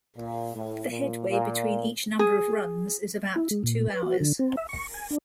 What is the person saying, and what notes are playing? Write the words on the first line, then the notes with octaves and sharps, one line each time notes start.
The headway between each number of runs is about two hours.
A#2
A2
A#2
A#2
G#4
E4
G#3
A#2
B4
F#4
D3
C4
E5
C#6
G#5
D4